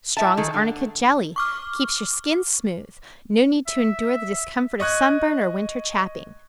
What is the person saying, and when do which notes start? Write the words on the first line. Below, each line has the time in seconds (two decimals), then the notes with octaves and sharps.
Strong's Arnica Jelly Keeps Your Skin Smooth No need to endure the discomfort of sunburn or winter chapping.
0.17 A2 E5 A5
0.37 D#3 G#4 A4
0.54 D3
1.36 C#6 D6 F6
3.67 E5
4.80 D#5 C#6 F#6 G#6